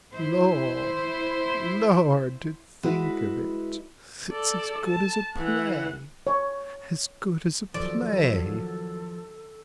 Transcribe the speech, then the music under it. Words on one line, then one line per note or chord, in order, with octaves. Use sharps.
Lord, Lord!--to think of it; it's as good as a play--as good as a play!'
E4 C5
G#3 E4 F#4 B4
A4 D5
A5
E3 F#5
C#5
D#2 F3 F#3 A4 D5